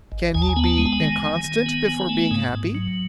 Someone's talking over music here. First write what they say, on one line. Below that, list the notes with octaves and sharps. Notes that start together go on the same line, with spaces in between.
"Can he be inconstant before being happy?"
G#1
D#2 G#5
A5
G#5
B3
A5
G#3
A5
G#5
D#3
D#3
D#3
B3
B3
A3
G#2
G#2
F#3